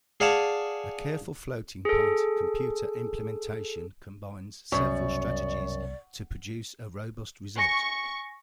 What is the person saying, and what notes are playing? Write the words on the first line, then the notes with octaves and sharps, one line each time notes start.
A careful floating point computer implementation combines several strategies to produce a robust result.
G#4 D5 F5 F#5 G#5 A5
G#4 A4
C2 F#2 B2 D5 C#6
G#5 C#6 A#6 C#7